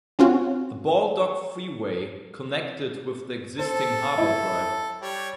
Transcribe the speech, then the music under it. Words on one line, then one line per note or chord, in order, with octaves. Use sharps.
The Baldock Freeway connected with the existing Harbor Drive.
C4 C#4 F4 F#4
A4 C5
E4
G3 C#5